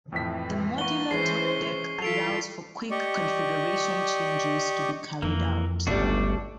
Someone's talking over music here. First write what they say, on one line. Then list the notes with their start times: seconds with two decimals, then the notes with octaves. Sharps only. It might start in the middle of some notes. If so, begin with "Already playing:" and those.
The modular top deck allows for quick configuration changes to be carried out.
0.12 F2 A2 E3 B6
0.78 A#3 F#5 C#6 G7
1.11 E3 G#3 C#4 C5 C7
2.02 E3 F4 A4 B6 D7 F7
2.91 G4 D5 D#5 C#6
5.22 F2 E3 A#3
5.87 G1 C#2 G3 A3 D4 F#4